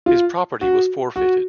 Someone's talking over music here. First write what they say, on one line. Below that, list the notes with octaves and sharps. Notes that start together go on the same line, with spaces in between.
His property was forfeited.
F4
F#4
F#4